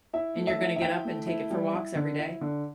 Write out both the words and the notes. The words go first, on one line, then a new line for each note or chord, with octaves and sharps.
And you're gonna get up and take it for walks every day?
E4 E5
A3
E5
E4
E5
E4 G5
A3
E4
G3
E4
D3
E4
D3